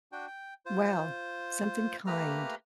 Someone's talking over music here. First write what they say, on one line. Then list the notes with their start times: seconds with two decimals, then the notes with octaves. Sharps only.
Well, something kind?
0.12 D4 F#4 G5
0.27 G5
0.66 F4 C5
2.07 A3 A#3 G4 B4 A#5 F6